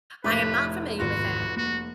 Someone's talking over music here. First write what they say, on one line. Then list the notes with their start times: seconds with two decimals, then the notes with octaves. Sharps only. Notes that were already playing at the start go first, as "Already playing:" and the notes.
I am not familiar with that. Mm.
0.24 F1 A2 A3 B4 D6
1.00 D1 G#2 D#3 B3 F4 F#4
1.57 A#3 F#4